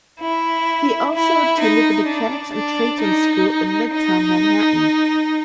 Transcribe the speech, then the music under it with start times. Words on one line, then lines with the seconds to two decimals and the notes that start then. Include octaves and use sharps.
He also attended The Mechanics and Tradesman's School in midtown Manhattan.
0.20 E4
1.14 E4
1.60 D#4
2.06 D4
2.54 D4
3.00 D#4
3.93 D#4